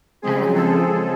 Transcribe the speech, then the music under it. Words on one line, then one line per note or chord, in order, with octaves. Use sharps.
And, um
C#3 F3 G#3 C4 G#4
A4